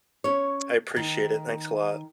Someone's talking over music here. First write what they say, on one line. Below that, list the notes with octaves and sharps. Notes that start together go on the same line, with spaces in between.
I appreciate it, thanks a lot.
C#4 C#5
D#3